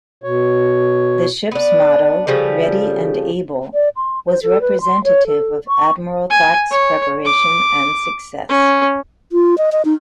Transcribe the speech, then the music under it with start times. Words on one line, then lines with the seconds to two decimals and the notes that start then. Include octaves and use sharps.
The ship's motto, "Ready and Able," was representative of Admiral Thach's preparation and success.
0.24 B2 C#5
1.51 B3 D4
2.27 C#3 F3 G3 A4
3.74 D5
3.97 C6
4.27 C5
4.43 A4
4.61 B4
4.81 C6
5.04 C#5
5.27 A4
5.67 C#6
6.30 G#5
6.71 C#5
7.25 D6
8.49 C#4
9.32 F4
9.58 D#5
9.72 D#5
9.85 D#4